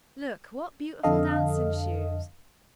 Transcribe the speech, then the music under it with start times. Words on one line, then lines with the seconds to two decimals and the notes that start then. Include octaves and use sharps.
"Look, what beautiful dancing shoes!"
1.03 F2 D3 A4 D#5 F5